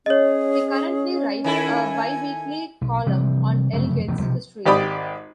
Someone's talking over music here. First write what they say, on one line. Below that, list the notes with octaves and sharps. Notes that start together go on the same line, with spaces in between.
He currently writes a biweekly column on Elgin's history.
C#4 G#4 C#5 D#5
D#3 E4 A4 G#5
B1
C3 E3 F3 G3
F1 F#2 C#3 A3
E1 A1 D#2
B1 C3 F3
G#1 G4 D5 B5 D#6